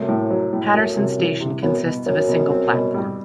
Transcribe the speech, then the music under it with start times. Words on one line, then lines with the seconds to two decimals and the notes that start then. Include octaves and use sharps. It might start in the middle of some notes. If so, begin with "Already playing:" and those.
Paterson station consists of a single platform.
Already playing: F#2 C3 A3
0.08 A2
0.31 F#3
0.53 A2
0.74 F#2 A3
0.96 C3
1.19 E3
1.41 C3
1.62 F#2 B3
1.85 B2
2.06 F#2 F#3
2.28 B2
2.50 C4
2.73 B2
2.94 G3